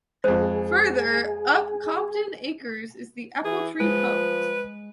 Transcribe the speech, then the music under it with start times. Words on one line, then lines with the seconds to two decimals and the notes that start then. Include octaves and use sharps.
Further up Compton Acres is The Apple Tree pub.
0.24 F2 G#3 G#4 C5
3.45 E3 G#4
3.80 F3 G#3 B4